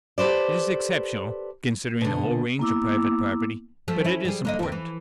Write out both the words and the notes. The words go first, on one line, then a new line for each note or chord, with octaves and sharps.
It is exceptional, considering the whole range of private property, but it is important.
G4 A4 B4 C5 D5
B2 D3
A#3 B3 E4 D6 E6
F3 A3
C#4 E4
G3 G#4
D3 A#3 D#5
D#2 C4
E3